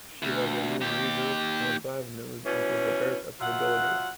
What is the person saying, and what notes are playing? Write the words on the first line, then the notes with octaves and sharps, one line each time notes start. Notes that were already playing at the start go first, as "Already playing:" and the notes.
She was a newsreader on "Five News", until the birth of her daughter.
D2
D#2 G4
B2 E3 C#4
F#3 F4 E5 F#5